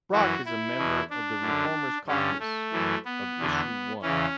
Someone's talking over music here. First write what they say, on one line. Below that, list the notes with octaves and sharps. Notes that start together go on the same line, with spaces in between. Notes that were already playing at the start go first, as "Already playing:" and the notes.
Brock is a member of the ReFormers Caucus of Issue One.
F#2 E3 F#4
E4
E2 B2
D4
F#2 D3
G2 D3 C#4
A3
F#2 E3
B3
E2 D3
E2 C#3 E3 C#4